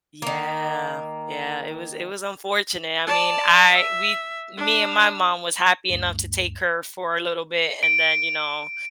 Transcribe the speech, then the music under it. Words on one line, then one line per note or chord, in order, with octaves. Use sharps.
Yeah, yeah, it was it was unfortunate, I mean, I we me and my mom was happy enough to take her for a little bit and then, you know,
D#3 A#3
D5 A5
E5
D4
D2 G2
D7